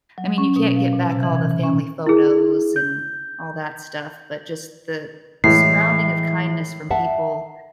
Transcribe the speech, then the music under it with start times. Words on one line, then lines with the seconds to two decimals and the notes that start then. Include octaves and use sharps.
I mean, you can't get back all the family photos and all that stuff, but just the surrounding of kindness from people
0.18 F#3
0.38 C#4
0.56 B2
0.76 F5
0.93 A#2
1.10 C3
1.23 E3
1.35 G#6
1.51 E3
1.64 C#4
2.07 E4 G#4
2.76 G6
5.44 A2 E3 G#3 C7
6.91 E5 F#5 A5